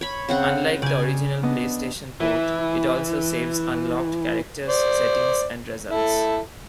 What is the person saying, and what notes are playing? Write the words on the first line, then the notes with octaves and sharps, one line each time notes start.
Unlike the original PlayStation port, it also saves unlocked characters, settings and results.
C#5 B5
C#3 C4 F#5
C#3 D5 G#5 G6
B3 D4 D#5
E3 E4
C5 D5
E4 A4